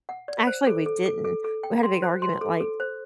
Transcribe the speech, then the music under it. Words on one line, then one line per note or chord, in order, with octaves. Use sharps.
Actually, we didn't. We had a big argument, like,
F#5
D5
C5
A4
A4
A4
A4
A4
G5
C6
C5
C6
A4
A4
C5